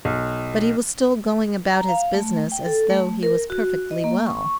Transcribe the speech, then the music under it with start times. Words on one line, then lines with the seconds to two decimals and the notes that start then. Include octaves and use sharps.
But he was still going about his business as though he was perfectly well.
0.05 B1
1.73 A#5
1.89 F5
2.14 A3
2.52 G5
2.66 A4
2.90 A3
3.23 A#4
3.50 F#4
3.91 D#5
4.04 A#3
4.26 C#6